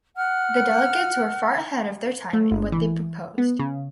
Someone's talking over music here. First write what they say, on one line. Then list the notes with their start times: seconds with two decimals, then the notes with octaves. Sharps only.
The delegates were far ahead of their time in what they proposed.
0.17 F#5 F6
2.33 A3
2.51 G1
2.72 E3
3.38 B3
3.59 C#3